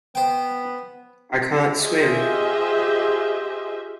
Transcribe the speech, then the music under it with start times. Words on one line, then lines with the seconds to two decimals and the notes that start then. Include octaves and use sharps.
I can't swim.
0.15 B3 C5 G5
1.77 F4 G4 G#4 C5 D#5 E5